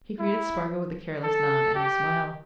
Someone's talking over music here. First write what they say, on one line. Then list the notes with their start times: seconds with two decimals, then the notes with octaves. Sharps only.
He greeted Spargo with a careless nod and a smile.
0.19 E4
1.23 A4
1.75 G4